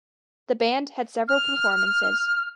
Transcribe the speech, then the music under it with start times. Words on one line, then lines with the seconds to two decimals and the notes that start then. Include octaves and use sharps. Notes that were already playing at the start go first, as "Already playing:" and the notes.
The band had several performances.
1.28 F6